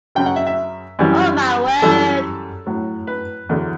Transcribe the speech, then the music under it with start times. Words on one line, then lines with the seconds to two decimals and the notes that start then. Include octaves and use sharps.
Oh my word.
0.15 F#2 C#3 F#3 G5
0.26 F#5
0.36 E5
0.47 E5
0.99 F#2 E3 G3
1.82 F#2 E3 G3 A4
2.66 A2 F#3
3.07 B4
3.49 E2 D3 F#3